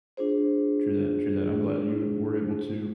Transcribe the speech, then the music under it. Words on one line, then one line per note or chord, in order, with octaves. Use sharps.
True that. True that. I'm glad you were able to
D4 F4 G#4 C5